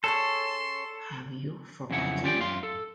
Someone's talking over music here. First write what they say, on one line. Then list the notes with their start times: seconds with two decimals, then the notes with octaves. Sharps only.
Have You Forgotten?
0.04 C#4 G#4 A4 C#5 C6
1.90 F2 C#3 F#3 E4 F#5
2.23 C#4 F4 G4 D5 E5 G5
2.40 F#2 F5 C6
2.63 A4